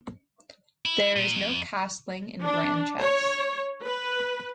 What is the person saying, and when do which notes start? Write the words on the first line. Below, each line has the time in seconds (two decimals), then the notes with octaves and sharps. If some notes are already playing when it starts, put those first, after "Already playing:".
There is no castling in Grand Chess.
0.86 E4
1.16 A#2
1.36 F2
2.45 D4
3.01 C#5
3.82 B4